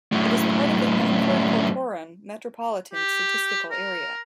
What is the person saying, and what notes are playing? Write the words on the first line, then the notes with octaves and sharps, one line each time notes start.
It is part of the Hanford-Corcoran Metropolitan Statistical Area.
F#2 A2
G4
A#4